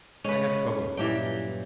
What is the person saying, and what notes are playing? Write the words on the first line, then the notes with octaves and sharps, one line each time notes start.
"I have trouble."
G#3 C#4 B4
G2 A#2 E3 F#3 G4 G5